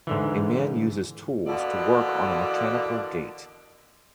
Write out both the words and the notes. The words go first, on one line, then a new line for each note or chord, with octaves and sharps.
A man uses tools to work on a mechanical gate.
G#2 D3 E3
B2 D3 E3 A#3 A4 D5